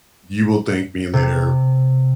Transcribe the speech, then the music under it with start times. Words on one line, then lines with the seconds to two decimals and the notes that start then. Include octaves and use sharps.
You will thank me later,
1.13 C3